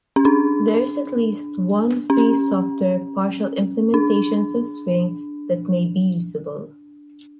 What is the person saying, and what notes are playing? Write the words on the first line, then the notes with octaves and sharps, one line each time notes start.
There is at least one free-software partial implementations of Swing that may be usable.
C#4
D4
C#4
D4